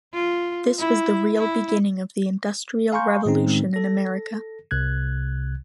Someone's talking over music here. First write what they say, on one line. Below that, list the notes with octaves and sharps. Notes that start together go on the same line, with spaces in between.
This was the real beginning of the Industrial Revolution in America.
F4
E4
E4
F5 G#5 A#5 C6 C#6 G6
A2 D#3 G#3 C4 C#4 D#4
A4 A#6
C2 C3 F#6 G#6